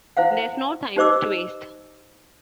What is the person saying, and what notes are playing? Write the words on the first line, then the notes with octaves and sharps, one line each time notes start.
There's no time to waste.
E4 C5 F5 F#5
D#4 G4 C5 D#5 D6 E6